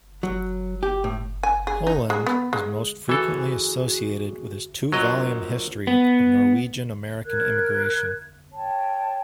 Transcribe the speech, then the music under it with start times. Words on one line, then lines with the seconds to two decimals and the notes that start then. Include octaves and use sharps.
Holand is most frequently associated with his two volume history of Norwegian-American immigration.
0.23 F#3
0.83 G4
1.04 A2
1.43 G#5
1.67 G#4
1.87 D#4
2.10 G#3
2.27 B3
2.53 G#3
3.09 E3 F#4 G#4 A4
4.92 F#3 F4 A#4 C5 D#5
5.87 B3
7.25 A#4 F#6 G#6
8.52 C#5 G5 A5